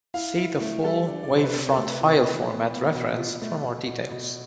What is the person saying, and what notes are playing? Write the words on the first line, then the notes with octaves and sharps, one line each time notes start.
See the full wavefront file format reference for more details.
E4 F5
E4
A3
G3 A4
D4
D5
C3 C5
B4
C4 A4
A4
A3
B4
E3
B4
E3 B4
B3
B3
B2
F4
A3
B2
B2
B2